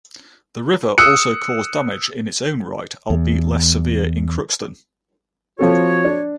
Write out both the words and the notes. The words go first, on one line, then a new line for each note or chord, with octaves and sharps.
The river also caused damage in its own right, albeit less severe, in Crookston.
D#6 E6 F#6 C#7
E2
F3 C4 F#4 A4 C#5
D4